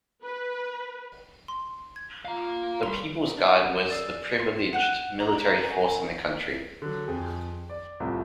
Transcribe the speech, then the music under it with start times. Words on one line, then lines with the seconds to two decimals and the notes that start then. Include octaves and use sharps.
The People's Guard was the privileged military force in the country.
0.24 B4
1.48 C6
1.96 G#6
2.25 F4 F5 A#5
2.83 G3 B5 C6 F7
3.37 D4
3.88 G#4 D5 E6
4.39 C6
4.73 F#5 G5 F#6
5.20 A#5
5.64 F#4 G#4 G#5
6.82 D3 F#3
7.07 F2 G#4
7.70 D5
8.00 C2 A2 F3